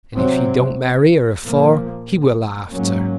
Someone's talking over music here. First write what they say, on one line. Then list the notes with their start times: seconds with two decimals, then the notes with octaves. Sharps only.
And if he don't marry her afore he will after.
0.15 C3 F#3 C4
1.44 A#2 F3 A#3
2.71 G#2 F#3 A#3 C#4